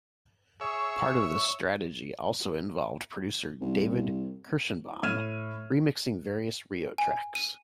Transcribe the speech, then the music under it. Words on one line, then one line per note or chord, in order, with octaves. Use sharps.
Part of this strategy also involved producer David Kershenbaum remixing various "Rio" tracks.
G#4 C#5 E5
C2
C2
A2 F6 G#6 D#7 E7
G#5
D#7